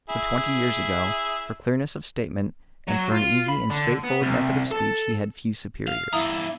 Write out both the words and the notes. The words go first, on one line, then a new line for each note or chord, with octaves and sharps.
But twenty years ago, for clearness of statement, and for an easy and straightforward method of speech he had few superiors.
E4 G#4
F#3
F4
B5
D3
B3
C2
A4
F5
E2 G2 E4 E5 A#5 D#6